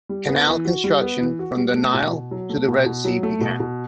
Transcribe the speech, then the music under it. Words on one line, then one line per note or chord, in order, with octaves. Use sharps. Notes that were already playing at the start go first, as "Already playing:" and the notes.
Canal construction from the Nile to the Red Sea began.
G3
B3
E3
F#4
G3
B3
E3
F#4
G3
A3
B2
B2
F#3
A3
B2
B2
F#3
A3
B2
B2